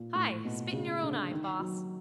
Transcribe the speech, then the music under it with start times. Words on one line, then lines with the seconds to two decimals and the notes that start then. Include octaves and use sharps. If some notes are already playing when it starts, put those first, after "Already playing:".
Hi! Spit in your own eye, boss!
Already playing: A#2
0.15 A2
0.45 B2
0.73 C#3
1.02 D3
1.31 D#3
1.59 F#3